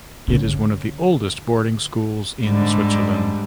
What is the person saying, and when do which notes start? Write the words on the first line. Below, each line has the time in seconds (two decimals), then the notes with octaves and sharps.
It is one of the oldest boarding schools in Switzerland.
0.28 D3 C#4
2.45 G#2 D3 G3